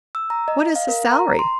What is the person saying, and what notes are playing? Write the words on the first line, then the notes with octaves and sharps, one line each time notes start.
"What is his salary?"
E6
A#5
D#5
F5
A#4
A#5
C6